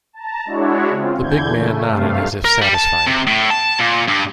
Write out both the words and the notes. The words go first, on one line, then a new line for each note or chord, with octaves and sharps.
The big man nodded as if satisfied.
A5 A#5
G#3 D4 E4 F#4 C#5
C#3 C4 F4
E2 D3 E3 G6 G#6
C#3 A3
G2 C3 A3 F5
A#4
G3
A5
C3
A2
A5
A#2
G2